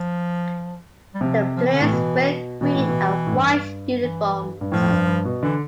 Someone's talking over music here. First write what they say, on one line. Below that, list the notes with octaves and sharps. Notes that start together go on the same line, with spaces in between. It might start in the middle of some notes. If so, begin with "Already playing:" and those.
The players wear green and white uniforms.
Already playing: F3
G3
C3 F3
F3
E3
D3
A2 E3
B2
B2 E3
A2
B2
A2
G2
E3
G2
A2 F3
F2
G2
G2
B2
D3 E3